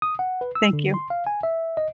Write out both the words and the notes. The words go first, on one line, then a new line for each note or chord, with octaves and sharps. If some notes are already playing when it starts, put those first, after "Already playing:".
Thank you.
D#6
F#5
B4
E6
D3
C6
F5
G#5
E5
D#5